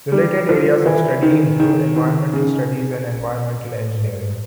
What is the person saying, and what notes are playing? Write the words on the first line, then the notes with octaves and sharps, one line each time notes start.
Related areas of study include environmental studies and environmental engineering.
G3
F3
E3
D#3
D#3
D#3
C#3